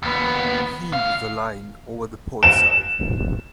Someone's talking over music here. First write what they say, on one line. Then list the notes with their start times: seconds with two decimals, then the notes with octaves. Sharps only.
Heave the line over the port side.
0.03 D#2 B3
0.92 D2 F5
2.43 E7